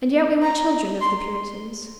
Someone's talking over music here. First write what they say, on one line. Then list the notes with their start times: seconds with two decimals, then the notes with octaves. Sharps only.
And yet we were children of the Puritans.
0.42 A#5
1.01 C6